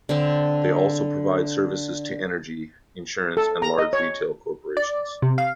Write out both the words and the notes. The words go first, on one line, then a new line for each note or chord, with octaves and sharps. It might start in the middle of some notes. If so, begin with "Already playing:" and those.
They also provide services to energy, insurance and large retail corporations.
D3 C4
A4
A#5
D#5
C#5
D5
C3
F5